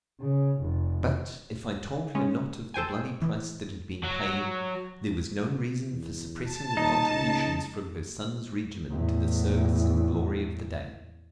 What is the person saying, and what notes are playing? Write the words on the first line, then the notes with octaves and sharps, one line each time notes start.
But, if I told her not of the bloody price that had been paid, there was no reason for suppressing the contributions from her son's regiment to the service and glory of the day.
C#3
F1
G#3 C#4
A4 C5 G5 G#5
E3
F#3 F#4
E2
A5
D#1 D#4
C#2
E2 A2